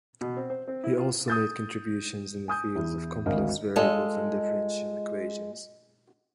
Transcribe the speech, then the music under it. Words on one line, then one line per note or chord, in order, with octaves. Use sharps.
He also made contributions in the fields of complex variables and differential equations.
B2
C4
C5
C4
E4
F4
D#6 G6 A6
G#5 D#6 G6
E2 E4
G#1 D2 A#4 D#5 F5
G#3 F4 A4 D#5